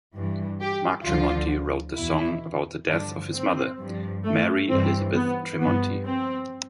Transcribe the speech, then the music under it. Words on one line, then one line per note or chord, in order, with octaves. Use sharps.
Mark Tremonti wrote the song about the death of his mother, Mary Elizabeth Tremonti.
G2 E3
G4
D2 D3 F3 F4
E2 B2 E4
G2 D3 F3 D4
C4
G2 F3
A3
G2 E3 C4
B3
G2 F3 B3
C4